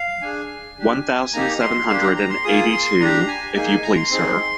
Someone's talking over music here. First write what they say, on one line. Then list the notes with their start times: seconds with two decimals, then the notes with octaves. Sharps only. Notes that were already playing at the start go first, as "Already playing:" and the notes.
One thousand seven hundred and eighty-two, if you please, sir.
Already playing: F5
0.22 D4 G#4 G#5
0.78 D4 G4
1.33 A#3 D#4 G4 A#5
1.61 C6
1.88 A#3 D4 G4 C6
2.02 A#5
2.16 A#5
2.30 C6
2.44 A#3 F4 G#4 D#6
2.73 C6
3.00 D4 G4 A#5
3.28 G#5
3.55 A#3 D#4 G#4 G#5
3.69 G#5
3.83 A#5
3.97 C6
4.11 C4 D#4 G#4